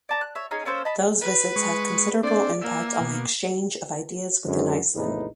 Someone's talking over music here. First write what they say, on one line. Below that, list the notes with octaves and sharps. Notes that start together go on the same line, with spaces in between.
Those visits had considerable impact on the exchange of ideas within Iceland.
D5 A5 A#5
F#6
C#5 E5
C#4 D#4 G#4
A#3 C#4 A4 C5
D#5 A5 B5
B4
G#3 C#6
C4 D4 D5
A#3 E6
B2
F#2 D3 G#3
A#1 E2 A2 C3 D#4 B4